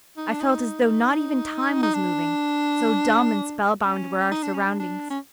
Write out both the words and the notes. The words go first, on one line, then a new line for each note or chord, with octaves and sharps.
I felt as though not even time was moving, so dumb and spell-bound were our surroundings.
D#4
D4
D#4
D#4
D4
C#4
D#4
D4
C#4
D4
D4
C#4